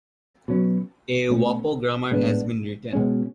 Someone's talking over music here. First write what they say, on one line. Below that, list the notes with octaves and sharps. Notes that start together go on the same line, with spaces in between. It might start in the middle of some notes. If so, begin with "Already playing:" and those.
A Wappo grammar has been written.
B2 F#3 C#4
B2 A3 C#4
A2 G#3 B3 D4
B2 G#3 C#4